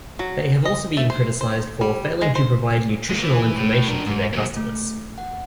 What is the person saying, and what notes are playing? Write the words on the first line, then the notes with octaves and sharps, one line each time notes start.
They have also been criticised for failing to provide nutritional information to their customers.
F#3
D#5
A3
C5
C5
G3
G#3
C5
G#3 A#3
E3
A2
D4 A#4
G#2
F#3 A#3
A3
F#5